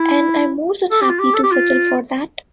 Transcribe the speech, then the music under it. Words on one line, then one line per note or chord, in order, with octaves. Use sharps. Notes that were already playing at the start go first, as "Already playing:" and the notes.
And I'm more than happy to settle for that.
Already playing: E4
A4
G4
F4
G4
A4
G4
F4